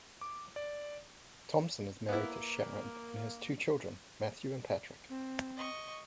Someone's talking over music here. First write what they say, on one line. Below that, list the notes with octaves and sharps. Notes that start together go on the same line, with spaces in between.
Thompson is married to Sharon and has two children, Matthew and Patrick.
D6
D5
A#3 B3 E4
C4
D#5 C#6